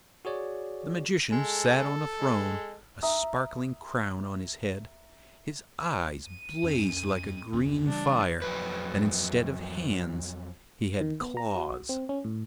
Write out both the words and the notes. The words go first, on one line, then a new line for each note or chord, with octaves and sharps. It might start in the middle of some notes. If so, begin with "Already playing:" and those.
The Magician sat on a throne, a sparkling crown on his head; his eyes blazed like a green fire, and instead of hands he had claws.
F#4 G#4 C#5 D5
G#3 A4
G#3
E5 A#5 D#6
D#7
F2 C#4
F#1 D#2 C#4
C#3 E3 G3 D4
F2 F#3 B4
D#3
B3
A#5
F#4
C4
C#4
A2